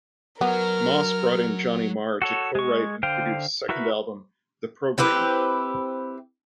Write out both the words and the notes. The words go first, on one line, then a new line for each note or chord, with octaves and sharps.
Moss brought in Johnny Marr to co-write and produce second album "The Program".
F#3 B3 A#4 F6
F#4 A4 C#5
G#3 C#6
D3 C5 F5 G5
E4 F#4 A#4 B4 E5
C4 E4 G4 B4